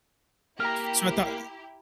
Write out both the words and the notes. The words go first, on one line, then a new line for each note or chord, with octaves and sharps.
so, I thought I
A#3 E4 G4 A#5 F6